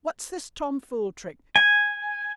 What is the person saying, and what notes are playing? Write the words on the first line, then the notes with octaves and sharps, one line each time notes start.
What's this tomfool trick?
G#5